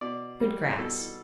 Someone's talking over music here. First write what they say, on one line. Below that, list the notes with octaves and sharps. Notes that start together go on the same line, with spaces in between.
Good grass.
B2 D5
G3
B2 A4